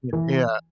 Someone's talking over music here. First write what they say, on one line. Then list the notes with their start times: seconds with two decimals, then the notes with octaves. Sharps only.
Y yeah,
0.13 E3